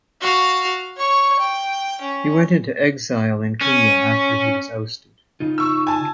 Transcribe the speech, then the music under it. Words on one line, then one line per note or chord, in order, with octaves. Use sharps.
He went into exile in Kenya after he was ousted.
F#4 F5
C#5 C#6
G5
C#4
C#4
C#3 D#4 F4
C#6 E6
G#5 A5